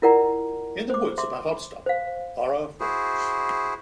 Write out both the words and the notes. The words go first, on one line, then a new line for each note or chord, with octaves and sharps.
In the woods about Odstock are earthworks.
E4 F4 A#4 D5 F#5 A#5
C5 D6
E5 C6 D6
C5 F5
E4 F#4 G#4 C5